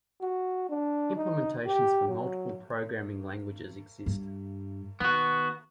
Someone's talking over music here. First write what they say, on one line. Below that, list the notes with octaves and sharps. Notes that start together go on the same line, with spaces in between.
Implementations for multiple programming languages exist.
F#4
D4
D#4
G4
F#3
G2
D#3 B3 F#4